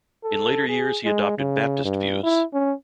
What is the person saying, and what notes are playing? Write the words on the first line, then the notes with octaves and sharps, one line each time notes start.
In later years he adopted Baptist views.
A4
G#4
G#3
C#3
G2
E4
C#4